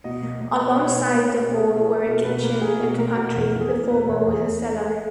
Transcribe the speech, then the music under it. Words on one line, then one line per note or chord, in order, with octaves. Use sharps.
Alongside the hall were a kitchen and pantry, the former with a cellar.
B2 D#5
A#3
A#3 D#5
B2
B2 C#5
A#3
A#3 A#4
B2
B2 G#4
A#3 A#4
G#4
A#3
A#4
B2
B2 B4
A#3
A#3 G#4
B2
A#3 A#4
B2
E2 A#4
E2
G#4
A#3 A#4
B2 B4
E2 C#5
E2 G#4